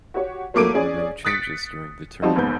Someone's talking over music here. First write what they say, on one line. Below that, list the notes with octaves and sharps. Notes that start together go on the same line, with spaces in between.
There were no changes during the term.
F#4 G4 C#5
F#3 A3 A#3 D6 D7 D#7
C#4 G#4 D5
D#6 F#6 A6 B6 C#7 D7
F3 G3 C4 D#4 F#4
F#1 E2 G#2 B4 G6